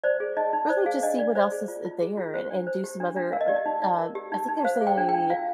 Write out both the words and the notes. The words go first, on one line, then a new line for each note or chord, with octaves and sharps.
really just see what else is, eh there and and do some other, um uh, I think there's a
C5 D5
G#4
D#4 D#5
D#4
C5 D5
G#4 F5
D4 D#5
D4 D5
C5 D5
G#4
F4
F4
G#4
F4
C5
D4
C5
G4
D4
D4
A#4 F5
D#5
G4 D5
D#5
D#4
D#4
A#4
G4
D#4
D#4
C5 F5
G#4
G5
D4
G5
D4
F4 F5